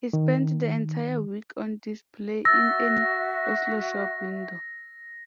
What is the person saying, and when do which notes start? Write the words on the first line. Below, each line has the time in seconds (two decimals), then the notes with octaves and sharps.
He spent the entire week on display in an Oslo shop window.
0.13 D#3
2.45 F#4 E5 E6 A6 A#6